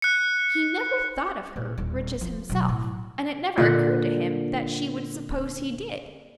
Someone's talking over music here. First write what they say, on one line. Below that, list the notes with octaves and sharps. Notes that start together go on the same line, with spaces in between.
He never thought of her riches himself, and it never occurred to him that she would suppose he did.
F#6 C#7
A#2
D#1
F3
B2 F#3
A2
A#2 D3 F#5